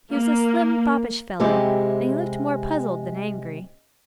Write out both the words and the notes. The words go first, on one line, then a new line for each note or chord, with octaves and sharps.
He was a slim, foppish fellow, and he looked more puzzled than angry.
A#3
C3 G#3 C4 E4 G4